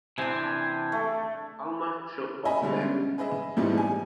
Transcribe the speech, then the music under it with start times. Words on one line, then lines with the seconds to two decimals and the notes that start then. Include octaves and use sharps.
How much should Bob bet?
0.18 C3 E3 C4 D4 G#5
0.92 A3
2.45 D#5 E5 G#5 B5
2.61 B2 D3 G3 G#3
2.81 C#4
3.18 G#4 B4 D#5 E5
3.57 G#1 F2 G#2 B2 E3 G3
3.78 G#5